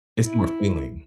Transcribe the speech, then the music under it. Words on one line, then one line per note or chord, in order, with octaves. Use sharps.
It's more feeling.
E4